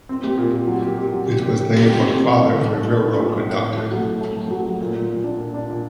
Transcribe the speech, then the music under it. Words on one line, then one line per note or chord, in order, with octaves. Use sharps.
It was named for the father of a railroad conductor.
C4
G4
A#2
G4
F#3
G4
G4
F#3
G4
G4
G4
C4
G4
C4
C3
C4
A3
A2
A3
D4
A3
A#1
A#1
A2
A2
A3
F#3
A2
A3
A3
F#3
F#3
A#2
A#2
A#2
D4
A#2
D4
A#2